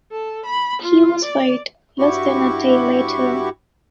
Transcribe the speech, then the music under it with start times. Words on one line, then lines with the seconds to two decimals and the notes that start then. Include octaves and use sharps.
He was waived less than a day later.
0.12 A4
0.46 B5
0.82 F4
1.25 D5
1.99 G2 E4 F#4 G4 C#6